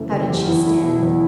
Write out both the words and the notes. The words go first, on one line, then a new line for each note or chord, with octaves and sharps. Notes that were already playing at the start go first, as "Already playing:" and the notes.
How did she stand?
Already playing: F#1 F#2 E3 A3
F#1 A4
E2 G4
E2 E4
A3 E4
B2
E2